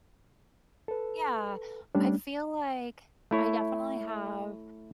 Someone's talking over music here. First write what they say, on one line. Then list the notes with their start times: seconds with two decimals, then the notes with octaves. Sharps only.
Yeah, I feel like I definitely have
0.88 A4 B4
1.95 G3 A3 C#4 D4
3.31 A3 E4 C#5